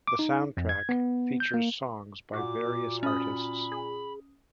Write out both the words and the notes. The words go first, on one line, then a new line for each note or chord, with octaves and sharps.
The soundtrack features songs by various artists.
D6
D#4
F2
G#6
B3
G6
A#3
A#2 F#4 D6
C#4 B5 D#6
G#4